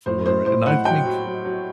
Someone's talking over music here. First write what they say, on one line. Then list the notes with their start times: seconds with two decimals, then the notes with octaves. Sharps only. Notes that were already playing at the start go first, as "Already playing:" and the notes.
for and I think
0.06 A2 C5
0.26 A2 C5
0.46 A2 C5
0.65 A2 F#5
0.85 F#3 G5
1.05 F#3
1.25 F#3
1.45 F#3